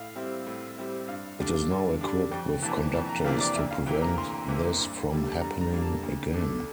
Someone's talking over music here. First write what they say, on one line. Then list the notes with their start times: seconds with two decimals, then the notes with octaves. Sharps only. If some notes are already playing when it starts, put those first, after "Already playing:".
It is now equipped with conductors to prevent this from happening again.
Already playing: A2 F5
0.15 G3 C4 E4
0.46 A2
0.77 G3 C4 E4
1.08 G2 F5
1.39 D3 G3 D4
1.70 G2
2.01 D3 G3 D4
2.31 F2 G5
2.62 C3 E3 A#3 D4 A5
2.93 F2 A5
3.09 A#5
3.24 C3 E3 A#3 D4 F5
3.40 D5
3.55 D2 E5
3.71 F5
3.86 C3 E3 A#3 G5
4.02 A#5
4.18 D2 C6
4.48 C3 E3 A#3
4.79 G2
5.10 D3 G3 A#3
5.41 G2 A#5
5.61 A#5
5.72 D3 G3 A#3
5.82 A5
6.03 D2
6.34 D3 A3 D4